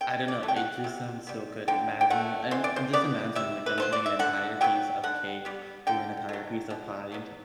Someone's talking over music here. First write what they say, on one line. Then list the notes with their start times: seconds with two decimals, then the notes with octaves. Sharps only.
I don't know, it just sounds so good, imagine I'm I'm just imagining, like, them putting an entire piece of cake or an entire piece of pie into
0.01 C3 G5
0.28 D5
0.43 F#3 A3
0.48 G5
0.56 F#5
0.84 C3
1.27 G3 B3
1.68 D3 G5
2.01 G5
2.10 A3 F#5
2.51 E3 C5
2.64 D5
2.76 C5
2.93 B3 D5
3.35 C3 E5
3.66 B4
3.78 F#3 A3 C5
3.93 D5
4.06 E5
4.19 D3 F#5
4.61 F#3 B3 G5
5.04 D3 F#5
5.45 G3 B3
5.87 D3 G5
6.29 F#3 A3
6.70 B2
7.12 F#3 B3